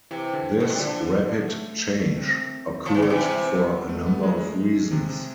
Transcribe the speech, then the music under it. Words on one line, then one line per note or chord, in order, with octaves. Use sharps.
This rapid change occurred for a number of reasons.
C3 E3
D3
B2 D3
C3
D3 F3
A3
C4
F3
E3
D3
C3 E3
C4
B3
B3
A3
B3
G#3
A3
G#3
C3
C3